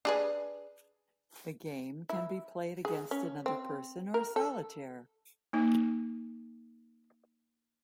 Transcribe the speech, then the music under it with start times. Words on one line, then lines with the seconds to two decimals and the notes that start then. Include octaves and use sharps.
The game can be played against another person or solitaire.
0.05 D4 G#4 B4
2.09 E4
2.85 G#4
3.11 C#4
3.46 C4
4.14 A#4
4.36 A4
5.53 A#3 D#4